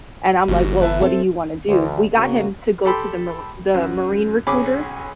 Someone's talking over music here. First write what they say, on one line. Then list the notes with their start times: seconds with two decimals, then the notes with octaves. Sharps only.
And I'm like, "Well, what do you wanna do?" We got him to go to the Mar the Marine recruiter,
0.48 G1 G3 F#4
0.81 B4 E5 A5
1.01 C4 A4
1.68 D2
2.16 C#3 A#3 F#4
2.85 G4 A4 G5 B5 C6
3.74 F#2
4.47 B1 C#4 G#4 B5 D6